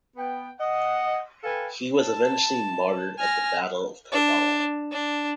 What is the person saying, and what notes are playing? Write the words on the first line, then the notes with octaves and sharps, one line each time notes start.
He was eventually martyred at the Battle of Karbala.
B3 G5
D#5 F#5
A4 B4 F5 G5 G#5
A5
G#5 F6 A#6
D4
D4